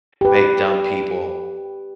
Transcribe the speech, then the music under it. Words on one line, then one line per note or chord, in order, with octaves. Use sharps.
make dumb people,
G4 B4